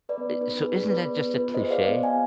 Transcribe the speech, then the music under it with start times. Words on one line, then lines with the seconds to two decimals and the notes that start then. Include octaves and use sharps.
Eh so, isn't that just a cliche?
0.09 B4 D5
0.17 B3
0.41 D#4 B4
0.65 G#4
0.89 B3 B4 D5
1.13 B3
1.38 F4 B4
1.54 C5 D#5
1.62 G#4
1.71 D5 F5
1.87 B3
2.03 F5 G#5
2.10 B3